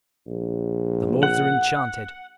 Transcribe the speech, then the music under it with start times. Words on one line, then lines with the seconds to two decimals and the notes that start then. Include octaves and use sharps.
The lords are enchanted.
0.26 A#1
1.23 F#5